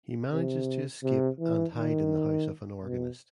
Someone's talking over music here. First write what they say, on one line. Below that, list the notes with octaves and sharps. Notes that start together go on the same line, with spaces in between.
He manages to escape and hide in the house of an organist.
C3
C3
E3
D#3
B2